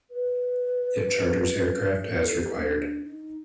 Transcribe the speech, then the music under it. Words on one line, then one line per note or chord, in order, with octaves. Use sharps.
It charters aircraft as required.
B4
A#4
A4
G4
C#4
D4
D#4